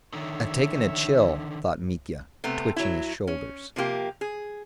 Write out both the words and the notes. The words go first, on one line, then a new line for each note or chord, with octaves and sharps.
"I've taken a chill," thought Mitya, twitching his shoulders.
D3 D#3 C#5 E5
C3 A3 B3
F#3 E4
C#4
C3 F3 A#3 G4
G#4